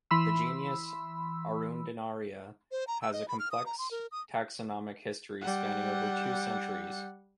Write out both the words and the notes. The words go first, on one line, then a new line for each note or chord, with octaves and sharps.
The genus "Arundinaria" has a complex taxonomic history spanning over two centuries.
E3 B5 C6 E6
C5
A#5
E6
D#5
B5
F6
D#6
A#5
C6
A#4
D#6
G3 F#5